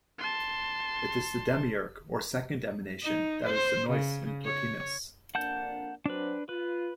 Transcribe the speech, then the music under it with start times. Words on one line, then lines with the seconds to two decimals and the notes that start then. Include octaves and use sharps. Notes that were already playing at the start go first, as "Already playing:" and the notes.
It is the demiurge or second emanation that is the nous in Plotinus.
0.19 A5 C6
3.03 D#4
3.45 C5
3.90 C#3
4.45 C#5
5.35 F2 A#3 D4 F#5 A5 G6
6.06 F#3 C4 D4 B4
6.49 F4 B4